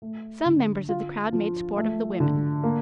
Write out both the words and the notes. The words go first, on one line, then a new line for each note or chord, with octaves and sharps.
Some members of the crowd made sport of the women.
A3
D3
F4
F3
A3
D3
A#3